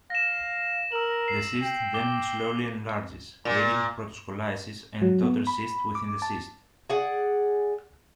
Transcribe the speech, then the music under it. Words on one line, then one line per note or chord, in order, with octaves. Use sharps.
The cyst then slowly enlarges, creating protoscolices and daughter cysts within the cyst.
F5 A#6 E7
A#4 E6 F#7
C7
G5
D6 G7
A#2
F#3
B3
B5
D6
A5
G#4 D5 F#5